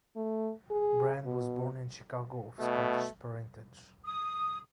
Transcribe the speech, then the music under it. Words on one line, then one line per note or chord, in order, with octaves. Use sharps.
Brand was born in Chicago of Scottish parentage.
A3
G#4
B2
B2 A3
D#6